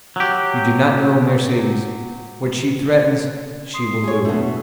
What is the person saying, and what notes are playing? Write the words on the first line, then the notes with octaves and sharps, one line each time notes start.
"You do not know Mercedes; what she threatens she will do."
F#3 G4
C6 D#6 C7
G#4 C#5
B2 A3 D4